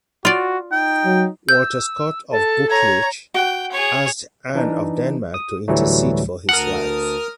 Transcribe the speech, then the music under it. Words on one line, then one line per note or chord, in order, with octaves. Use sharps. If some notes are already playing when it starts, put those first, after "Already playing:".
Walter Scott of Buccleuch asked Anne of Denmark to intercede for his life.
F4 F#4 D5
D#4 G5
F#3
E6 G6
A4 A5
C#5 A#5 G#6
F#4 F#5 G5
G#4 C#5
E3 D4 D#4
D#6
D2 A2 E3 F#3 G3 A3
D2 A#4 F#5 A5 D#6 F6